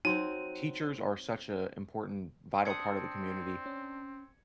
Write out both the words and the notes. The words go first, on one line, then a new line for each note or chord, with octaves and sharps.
teachers are such a important, vital part of the community,
F#3 C4 D#4 C6 D#7
C4 D4 D#6 G#6 C#7
C#4